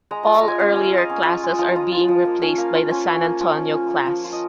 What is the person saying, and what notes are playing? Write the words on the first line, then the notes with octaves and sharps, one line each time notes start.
All earlier classes are being replaced by the "San Antonio" class.
G#3 A#5
F4 A#5
A#5
G#3
G#5
C#4 F5
C#4 F5
F5
F4 D#5
C#4
F4
G#3
F3 A#5
F4
F4
F3
A#3
C#4
A#3 F5
F4
C#4
C#4
A#3
F3
C#4
C#4
A#3
F3
F4
D#5